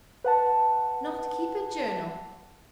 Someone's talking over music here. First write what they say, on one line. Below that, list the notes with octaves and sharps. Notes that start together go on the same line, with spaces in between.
Not keep a journal!
B4 F#5 A5